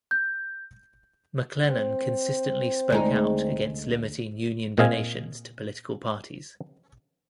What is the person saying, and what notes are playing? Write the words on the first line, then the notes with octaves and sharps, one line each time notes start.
McClellan consistently spoke out against limiting union donations to political parties.
G6
C4
D2 G#3 D#4
A#2 C4 D#5 F5 G#5